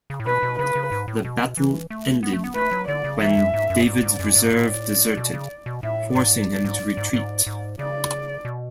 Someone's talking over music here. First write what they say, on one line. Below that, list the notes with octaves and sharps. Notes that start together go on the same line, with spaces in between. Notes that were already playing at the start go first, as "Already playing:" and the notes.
The battle ended when David's reserve deserted, forcing him to retreat.
C#3
A2
B2 B4
B2
C#3 B4
C#3
G#2
A2
B2
E3
A3
B3
A3
B3
A3 B4
F#3
D3 D5
C#3
E3 E5
F#2
G#2
F#2
G#2 D5
G#2
F#2
G#2
A2
B2
C#3
B2
A2 E5
G#2 D5
G#2
G#2
G#2
G#2
C#3 D5
B2